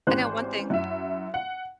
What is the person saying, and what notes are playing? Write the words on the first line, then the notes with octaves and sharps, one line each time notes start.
I know one thing
G#1 E3 C#4 G4 C5 F#6
F#2 E4 E5
F#5